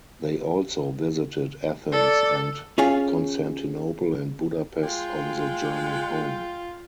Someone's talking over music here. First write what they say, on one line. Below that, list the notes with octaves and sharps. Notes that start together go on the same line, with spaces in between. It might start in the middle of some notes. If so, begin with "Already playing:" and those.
They also visited Athens and Constantinople and Budapest on the journey home.
A4 D5
C#4 F4 G#4 C#5 F5
G#3 F4 G5